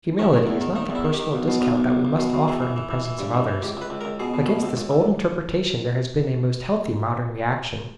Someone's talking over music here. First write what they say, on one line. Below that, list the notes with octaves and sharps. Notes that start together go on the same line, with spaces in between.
Humility is not the personal discount that we must offer in the presence of others--against this old interpretation there has been a most healthy modern reaction.
D#3 C#4
D#3
E2
D#3
D#3 D#4
E2
E4
D#3
G4
D#3
B1
B2
B1
B1
B1
B1
B2
B2
E3 G#4
E3
E3
E3
E3
G2
E3
E3
C#2 G4
C#2
B4
C#2
A#4
C#2
B2 G#4
B2
B2
C#2
C#2
C#2